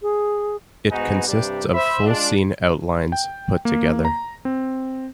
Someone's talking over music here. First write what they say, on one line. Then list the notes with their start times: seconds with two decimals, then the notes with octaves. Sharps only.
It consists of full-scene outlines put together.
0.02 G#4
0.91 G#2 B3 D#4 F#4 B4 G#5
1.27 G2 C3 G3 D4 G4
1.74 C5 E5 B5
2.06 G#3 D4 F4
3.12 G5
3.65 A#3
4.05 A#5
4.45 C4